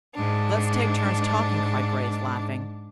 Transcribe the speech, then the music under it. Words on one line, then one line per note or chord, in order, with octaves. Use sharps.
"Let's take turns talking," cried Grace, laughing.
G#2 D4